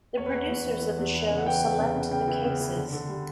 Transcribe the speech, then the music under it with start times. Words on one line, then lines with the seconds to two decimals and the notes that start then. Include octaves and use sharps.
The producers of the show select the cases.
0.17 E2 C#5
0.26 B4
0.33 E2 C#5
0.50 E2
0.66 E3
0.81 E3
0.98 E2
1.14 E3
1.31 C#3
1.37 F#5
1.46 E3 G5
1.63 E2
1.79 C#3
1.95 C#3
2.11 C#3 G5
2.28 E3
2.44 C#3
2.60 E3
2.76 D3
2.93 D3
3.09 G3